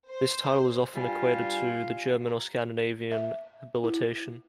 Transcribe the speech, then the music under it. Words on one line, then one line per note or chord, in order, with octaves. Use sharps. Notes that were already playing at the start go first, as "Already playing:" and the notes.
This title is often equated to the German or Scandinavian habilitation.
C5
G2 G3 F4 G#5
A#5
E5
E4